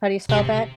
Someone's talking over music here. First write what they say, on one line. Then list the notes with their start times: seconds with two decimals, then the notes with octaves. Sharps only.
How do you spell that?
0.29 C3